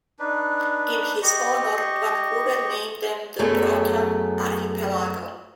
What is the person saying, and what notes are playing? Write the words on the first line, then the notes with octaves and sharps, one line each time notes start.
In his honour, Vancouver named them the Broughton Archipelago.
D4 D#4 B4
G4 D#5 C#6
F#2 F#3 A3 B3 G#4